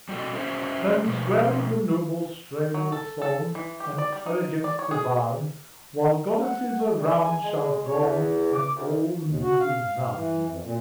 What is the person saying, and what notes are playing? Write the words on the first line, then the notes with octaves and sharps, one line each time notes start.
Then swell the noble strain with song, And elegance divine, While goddesses around shall throng, And all the muses nine.
G3 F#4 A4
G3 C#4 F#4 A#4 C5 E5
B2 F3
F#3
A4
A4
E3
G4
D5
G3
D#4
D5
C#5
G#4
F#5
G3
G#5
G#3
C#5
E2
D6
D2
D#2
F#4
F5
F5
E3
F2
A#2